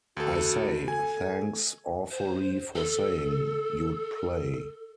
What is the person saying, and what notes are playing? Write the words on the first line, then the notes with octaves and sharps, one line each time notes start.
I say, thanks awfully for saying you'd play.
D2 F#4 A4
A4 G#5
C5
A4